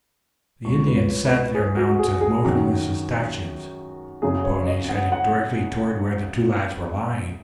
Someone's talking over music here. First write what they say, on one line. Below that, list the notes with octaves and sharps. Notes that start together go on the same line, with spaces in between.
The Indians sat their mounts as motionless as statues, the ponies headed directly toward where the two lads were lying.
C#2 C#3 C#6
B4
C#5
B4
G#4
F#4
G#4
G#4
F#2 D#3 F#4
F#2 C#3 G#4
C#5
D#5
F#5
F#5